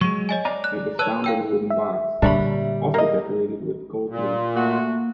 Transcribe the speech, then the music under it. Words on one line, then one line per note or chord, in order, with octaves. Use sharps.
It was found in a wooden box, also decorated with gold leaf.
F#3 G#3 C#6
C#5 D#5 G#5
D5 A#5
F#6
B4 C#5 A5 E6 F#6
F5 G5 E6
E5
A#2 D3 G3 D4 C#5 B5
A#3 D#5
A#2
A3 A#3 F#4